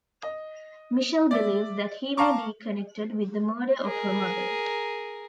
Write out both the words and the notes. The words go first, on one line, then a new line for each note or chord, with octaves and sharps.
Michelle believes that he may be connected with the murder of her mother.
D#5
D5 E5 D6
F5 A5 A#5 C#6 D6
G#4 A#4